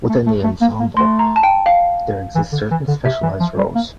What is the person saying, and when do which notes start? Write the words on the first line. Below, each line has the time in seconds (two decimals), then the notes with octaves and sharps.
Within the ensemble there exist certain specialized roles.
0.10 A3
0.26 A3
0.44 A3
0.61 A#3
0.80 A#3
0.96 A3 C6
1.19 A#5
1.36 A5
1.43 G5
1.66 F5
2.35 E3
2.53 D3
2.71 E3
2.88 D3
3.05 C3 E5
3.23 E3
3.40 F3
3.58 G3
3.75 A#3